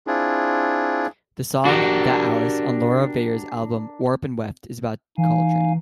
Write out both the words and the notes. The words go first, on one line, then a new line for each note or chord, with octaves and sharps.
The song "That Alice" on Laura Veirs' album "Warp and Weft" is about Coltrane.
C4 D4 E4 F4 G#4
D4 F#4 G4 A#4
E3 D#4 F5 G#5